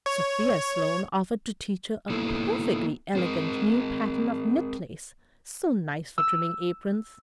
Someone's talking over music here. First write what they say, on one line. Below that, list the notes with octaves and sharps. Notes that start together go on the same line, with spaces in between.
Sophia Sloane offered to teach her a perfectly elegant new pattern of knit lace, so nice for trimming aprons.
C#5
A#3 B3 D#4 E4 A4
C4 G#4 A#4
E6